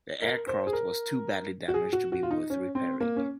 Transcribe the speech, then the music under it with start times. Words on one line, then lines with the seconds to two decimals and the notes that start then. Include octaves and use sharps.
The aircraft was too badly damaged to be worth repairing.
0.22 A#4
0.47 C5
0.67 G#4
0.73 A#4
1.68 F#4
1.74 G#4
1.93 F#4
2.12 F#4
2.23 F4
2.31 D#4
2.50 C#4
2.75 C4
3.00 A#3
3.16 C#4